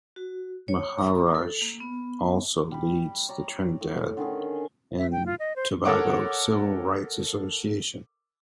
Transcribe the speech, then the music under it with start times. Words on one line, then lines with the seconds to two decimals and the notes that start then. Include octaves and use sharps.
Maharaj also leads the Trinidad and Tobago Civil Rights Association.
0.16 F#4
0.68 C#5
0.98 A#5
1.35 A4
1.62 A#3
1.80 B3
2.72 G3 B5
3.29 C#5 D5 A#5
3.81 A2
4.17 D3 D#3 C#4 G#4
4.98 E5
5.12 G5
5.26 F4
5.39 D#5
5.56 C5
5.85 A4 A#4 C#5 F#5 D6